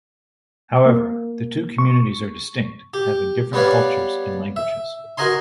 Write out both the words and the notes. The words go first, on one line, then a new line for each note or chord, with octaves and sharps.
However, the two communities are distinct, having different cultures and languages.
A#3
C#6
G4
G3 B3 B4 C#5 D5 F5
E5
F#4 A#4 D#5 G#5 C6